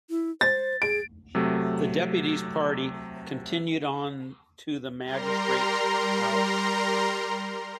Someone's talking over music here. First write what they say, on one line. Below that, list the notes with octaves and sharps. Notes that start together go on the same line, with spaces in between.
The deputy's party continued on to the magistrate's house.
E4
C5 A6
G#4 D7
C3 F#3 A3
G3 A#4 A#5 C6